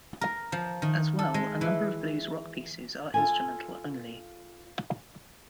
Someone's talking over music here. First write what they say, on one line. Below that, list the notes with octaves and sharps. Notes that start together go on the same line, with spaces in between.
As well, a number of blues rock pieces are instrumental-only.
A#4
F3
D#3
A4
G#3
E3
F4 A4 G#5